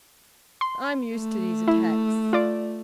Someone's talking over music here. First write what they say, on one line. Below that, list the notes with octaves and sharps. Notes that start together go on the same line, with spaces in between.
I'm used to these attacks.
C6
A3
E4
F4 D5